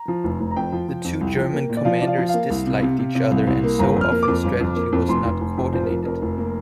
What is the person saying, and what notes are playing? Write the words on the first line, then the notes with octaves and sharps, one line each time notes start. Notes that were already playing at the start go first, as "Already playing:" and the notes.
The two German commanders disliked each other, and so often strategy was not coordinated.
Already playing: A#5
F3
F1
F1
A#5
F2 G5
F3
F3
F2
C2
F3
A#3
A#2
D5
F3 F5
F3 D5
F5
F3
F5
A#3
C2
C3
C3
C3
C3
C2
C2
A#3
G1 A#5
F2
F6
A#3
D6
F2
G1
F2
A#3
F2
F1 C6
F1
F1
F2
F3 C5
A#4
F1
F2 A#4
F1
A#3